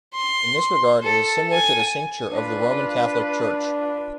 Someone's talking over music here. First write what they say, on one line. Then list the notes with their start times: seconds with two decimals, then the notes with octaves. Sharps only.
In this regard it is similar to the cincture of the Roman Catholic Church.
0.15 C6
1.03 A4
1.53 G#5
2.32 D4 F4 B4